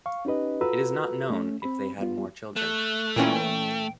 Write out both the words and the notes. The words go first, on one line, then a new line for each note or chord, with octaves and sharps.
It is not known if they had more children.
F5 C#6
C#4 D#4 G4 B4 D#5
F4 F#4 A4 B4 A#5 E6
A3 C#4
C4 B5
G3 B3 F4
A3 F#6
A#2 E3 C#4 G5